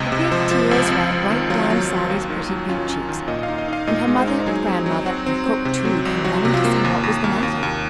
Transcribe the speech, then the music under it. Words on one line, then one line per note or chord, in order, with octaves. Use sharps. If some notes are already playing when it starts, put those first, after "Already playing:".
The big tears ran right down Sallie's pretty pink cheeks, and her mother and grandmother, and cook, too, came running to see what was the matter.
Already playing: C#2 C3 D#5
C3
F3 C5
F3
C#2
C4
C4
D#3
F#3 F4
F#3
F#3
D#2
D#3
F#3
C#4 F4
C#4
D#3
A#2 D#5
D#5
F5
D#4
D#5
D#4 F5
A#2 D#5
G#3
C5
D#4
F#3 G#4
C4
F#3
C4 F#4
C4
C4
C3
F#3
C2
F#3 F#4
C3
F4
A#3
D#2
D#2
D#2
D#2
D#2